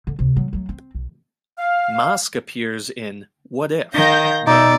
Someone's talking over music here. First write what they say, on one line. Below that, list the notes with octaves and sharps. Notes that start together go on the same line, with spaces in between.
Masque appears in What If?
D3
D2 C3
F#3 B3
F#3 A3
C4
B1
F5
D#3 F5 G6 A#6
B2 D#4 D5 E5